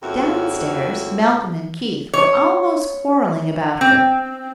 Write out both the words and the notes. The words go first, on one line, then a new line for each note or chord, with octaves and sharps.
Down-stairs, Malcolm and Keith were almost quarrelling about her.
F2 C#3 A#3 E4 F#4
C#5
C4